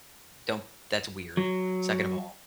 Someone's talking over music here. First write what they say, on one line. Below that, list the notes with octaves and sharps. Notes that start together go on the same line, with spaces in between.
don't that's weird. Second of all
F#3